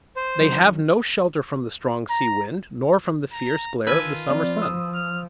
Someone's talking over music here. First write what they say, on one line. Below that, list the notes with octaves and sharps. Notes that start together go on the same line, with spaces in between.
They have no shelter from the strong sea wind, nor from the fierce glare of the summer sun.
C5
F#2 D#3
A#5
A#5
D#3 F4 B4 G#5 A5 E6 G#6
F3 C4 D5
D#6 E6
F6